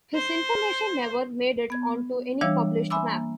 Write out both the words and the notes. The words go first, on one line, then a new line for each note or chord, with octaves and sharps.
His information never made it onto any published map.
C5
B3 G#6
E3 G3 D4 C#5 F5 E6
E5 G#5 B5 C6 D6 E6
A#3